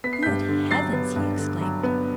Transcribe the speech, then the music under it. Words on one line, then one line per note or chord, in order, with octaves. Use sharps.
"Good heavens!" he exclaimed.
B3 B6
C7
G2 G6 B6
D3
F#3 A6 C7
B3
G2
D3
F#3
B3